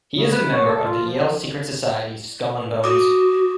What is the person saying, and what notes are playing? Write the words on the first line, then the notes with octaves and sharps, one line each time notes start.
He is a member of the Yale secret society Skull and Bones.
C#3
B4
C#5
A4
F4
F3
F#4 D6 D#6